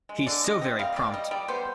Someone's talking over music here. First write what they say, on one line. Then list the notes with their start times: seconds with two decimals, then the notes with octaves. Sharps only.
He's so very prompt!
0.09 G#3
0.26 D3 D5
0.44 D3 D#5
0.61 C4 D#5
0.79 G3 F5
0.96 G3 D5
1.14 G3 D#5
1.31 G3 D5
1.48 B3 C5